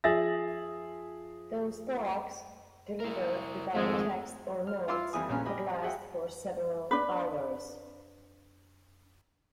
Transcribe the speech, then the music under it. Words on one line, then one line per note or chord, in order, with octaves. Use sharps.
Those talks, delivered without text or notes, could last for several hours.
F3 G#4 E5 A6 A#6
E4 A#4
G#1 F2 G#2 G#3 A3
F6
E4 F4 F5 C6 D6 E6
F2 E3 G3 G#5 D#6
A#1 F2 B3 C#4 A#5 F6
G4 D#5 G#5 B5
F#4 G#4 E5 F#5 G5
D4 B4